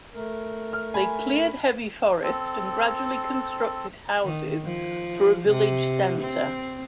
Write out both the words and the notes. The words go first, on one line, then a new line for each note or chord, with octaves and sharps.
They cleared heavy forest and gradually constructed houses for a village center.
A3 A#4
F6
G#5 B5
C4 A4
D#3
F3
C3
C4